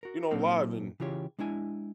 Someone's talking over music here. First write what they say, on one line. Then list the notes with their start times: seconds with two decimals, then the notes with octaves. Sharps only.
you know, live and
0.03 F#4 A#4
0.31 A#2 F#3 A#3 C4 D#4 A4
1.00 C#3 E3 F4 G4 C#5
1.39 G#3 D4 E4 G#5